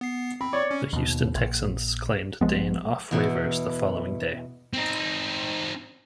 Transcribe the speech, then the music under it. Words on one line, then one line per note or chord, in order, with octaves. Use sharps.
The Houston Texans claimed Dayne off waivers the following day.
B3 C7
C4 B5
C#5 D5
C#4
D#2 B2
A#1
A#1 F3 G#3 B3
E2 B2 E4
C4 D#4